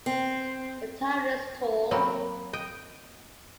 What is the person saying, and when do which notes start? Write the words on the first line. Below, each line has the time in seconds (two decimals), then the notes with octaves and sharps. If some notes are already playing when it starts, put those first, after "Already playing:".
The tower is tall.
0.06 C4
1.91 F#3 A#3 C4 C#5 B5
2.53 D#5 G5